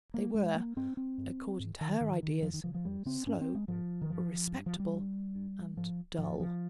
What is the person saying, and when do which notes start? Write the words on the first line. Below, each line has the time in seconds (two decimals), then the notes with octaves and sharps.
They were, according to her ideas, slow, respectable, and dull.
0.14 A#3
0.34 G2 G#3
0.55 A#3
0.76 G2 C4
0.97 C4
1.18 G2
1.60 G#2
1.81 D#3
2.01 G#2 D#3
2.23 D#3
2.43 F2 F3
2.54 D#3
2.64 C#3 F3
2.75 F3
2.85 F2 G3
3.05 C#3 C4
3.26 G#2 C#4
3.41 C4
3.55 G#3
3.68 G#2 F3
4.02 D#3
4.10 G2 F3
4.52 G2
4.66 F3
4.80 G3
4.93 G2
5.35 G2
5.77 G#2 F3
6.18 G#2 F3
6.40 F3